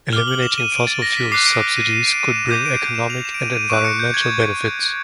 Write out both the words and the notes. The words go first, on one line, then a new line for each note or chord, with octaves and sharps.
Eliminating fossil-fuel subsidies could bring economic and environmental benefits.
D6 F6 G7
F#7
E7
D#7
D7
A6
A#6
B6
D6 F#6 C7
D7
D#7
D#7
D7
D#7
E7
D6 G6 D#7
D7
D#7
E7
F7
E7
D7
D#7
D#7
C#6 F#6 D7
C#7
G6
G#6